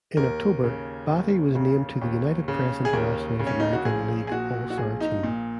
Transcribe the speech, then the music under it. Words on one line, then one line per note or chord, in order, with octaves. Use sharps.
In October, Battey was named to the United Press International's American League All-Star team.
D#2 A#4
C#3
D#2
C#3
D#2
C#3
G#4
D#2 A#4
C#3
C#4
D#4
F#4
A#1 G#4
G#4
A#2 F#4
F#4
A#1 G#4
D#4
A#2